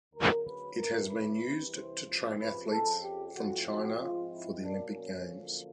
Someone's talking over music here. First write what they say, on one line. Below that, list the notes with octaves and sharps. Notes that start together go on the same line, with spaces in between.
It has been used to train athletes from China for the Olympic games.
D2 C#3 F#3 A#4
B4
D2 C#3 F3 A3 A#4
B4
C2 C3 E3
C5
C#2 C3 F3
B4
F2 C#3 F3 A4
G4
A2 F3 A3 C4 F#4
F#4
G#2 F3 G#3 C4 F4
E4
B2 F#3 A#3 D4
C#4
F#2 D3 F3 A#3